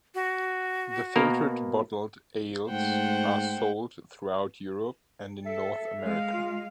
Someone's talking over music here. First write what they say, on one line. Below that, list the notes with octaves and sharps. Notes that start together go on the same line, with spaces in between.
The filtered bottled ales are sold throughout Europe and in North America.
F#4
B2 A#3 A#4
G#2 A3 C5 F#5 G5
A4 E5
G#3 F5
F4